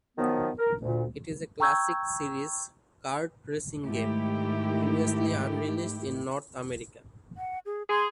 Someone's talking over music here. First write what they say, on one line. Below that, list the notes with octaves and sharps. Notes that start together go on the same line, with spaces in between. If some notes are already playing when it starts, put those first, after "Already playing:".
It is a classic series kart-racing game previously unreleased in North America.
D#3 F3 F#3 B3
A#4
D2 A#2
G5 A#5 C#6 E6 G6 G#6
G#2 D#3 A3 E4 G4
F#5
G#4
G#4 C6